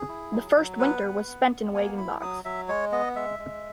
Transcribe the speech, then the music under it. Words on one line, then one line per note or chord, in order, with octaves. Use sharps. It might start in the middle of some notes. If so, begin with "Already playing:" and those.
The first winter was spent in a wagon box.
Already playing: G#4
E4
F#3
F#3
B3 B4
B3
B3
B3
A#3 G#5
E4 B5
F#3 D#6
F#3 E5
G#3 C#5
B3 D#5
G#3 E5
G#3